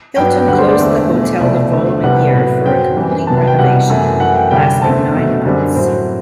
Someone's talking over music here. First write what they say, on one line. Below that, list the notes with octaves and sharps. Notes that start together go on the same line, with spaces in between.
Hilton closed the hotel the following year for a complete renovation, lasting nine months.
G2 F#3 B3 G5
G5
D2 D3 G3 B3 F#5
C5
D5
E2 D3 A3 C4
E2 B2 A3
C2 B2 A3 D5
E2 D3 A3 C4
C2 C3 G3 B3 F#5
A2 F#3 B3
F#2 F#3 C4 G5
F#2 E3 G3
C2 C3 F#3 B3 A5
A5
G5
C2 B2 G3 F#5
F#2 E3 A3
F#2 E3 A3 F#5
G5
D2 C3 G3 G5
E2 D3 A3 C4 A5
B2 F#3 A3
F#2 D3 G3 C4
A2 F#3 C4